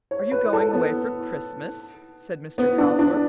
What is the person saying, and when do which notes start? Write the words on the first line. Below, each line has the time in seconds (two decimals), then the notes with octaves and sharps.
"Are you going away for Christmas?" said Mr. Calthorp.
0.11 C#5
0.31 B4
0.53 A4
0.73 B3
2.58 B3
2.78 D4
2.99 D4